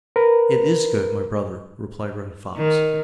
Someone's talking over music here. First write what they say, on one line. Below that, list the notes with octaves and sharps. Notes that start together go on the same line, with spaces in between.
"It is good, my brother," replied Running Fox.
A#4 B4
D#3